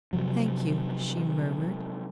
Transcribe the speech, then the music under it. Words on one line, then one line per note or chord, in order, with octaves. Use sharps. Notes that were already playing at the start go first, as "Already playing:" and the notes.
"Thank you," she murmured.
C3 F3 F#3